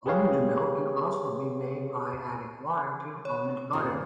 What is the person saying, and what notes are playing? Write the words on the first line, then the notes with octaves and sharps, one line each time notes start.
Almond milk can also be made by adding water to almond butter.
G4 G#4 B4 C#5 F5
C#5
D#1 G2 C#3 C4